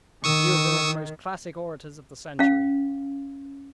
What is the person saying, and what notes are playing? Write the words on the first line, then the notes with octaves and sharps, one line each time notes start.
He was one of the most classic orators of the century.
D#3 C#6 D#6 E6
C#4 F5